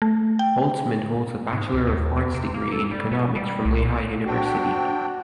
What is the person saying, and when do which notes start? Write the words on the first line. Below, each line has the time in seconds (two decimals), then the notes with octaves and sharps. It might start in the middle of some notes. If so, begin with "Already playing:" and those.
Holtzman holds a Bachelor of Arts degree in Economics from Lehigh University.
0.02 A3
0.39 G5
1.53 G#2
1.73 C#2
1.87 D#2
2.17 E2
2.34 C3
2.54 A#3
2.72 A4
2.91 G3
3.12 B2
3.36 G3
3.65 C2
4.27 C4 D4 F#4 G5